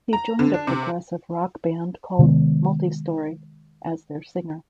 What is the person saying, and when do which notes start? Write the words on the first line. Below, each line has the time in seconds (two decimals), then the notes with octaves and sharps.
He joined a progressive rock band called "Multi-Story" as their singer.
0.13 A#5
0.39 D3
0.54 D4
0.67 C3
2.19 C3 D#3 G#3 B3